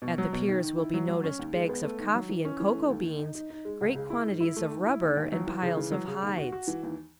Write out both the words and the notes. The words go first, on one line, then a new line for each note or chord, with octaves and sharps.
At the piers will be noticed bags of coffee and cocoa beans, great quantities of rubber and piles of hides.
B2
F#3
B2
D#3
D#3
E4
F#3
F#3
C#4
D#2
G#3
B3
A3
D#3
F#3
E3
C#4
E3
A3
D#2
D#3
D#4
D#4
D#4
G#3
C#2
C#3
E4
G#2
E4
A3
D#3
E4
D#2
D#2
F#3
E3
C#3
E3
F#3
C#3
D#2
F#4
F#4
E3
D#2